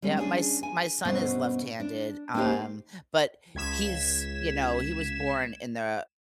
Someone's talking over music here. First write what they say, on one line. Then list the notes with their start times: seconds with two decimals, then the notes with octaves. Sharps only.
Yup, my s my son is left-handed, um, but he's you know, he was born in the
0.02 G3 G#3 C#4
0.17 C#4 D4 G#4
0.63 G#5
1.05 G2 B2 A3 C#4 C5
1.80 D4
2.34 A#3 C#4 D#4 F#4 G4 C5
3.55 C#2 G#6 B6 E7